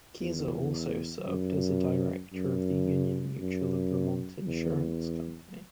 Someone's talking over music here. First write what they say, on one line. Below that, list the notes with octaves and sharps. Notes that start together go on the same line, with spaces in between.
Keyser also served as a Director of the Union Mutual of Vermont insurance company.
E2
F#2
F#2
F#2
E2